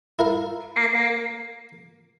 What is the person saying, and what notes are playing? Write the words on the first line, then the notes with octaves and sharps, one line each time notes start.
And then
E4 A#4 F5